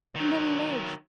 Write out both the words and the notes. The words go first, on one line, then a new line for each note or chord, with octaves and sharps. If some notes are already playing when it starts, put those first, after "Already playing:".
And the legs!...
D#3 F#3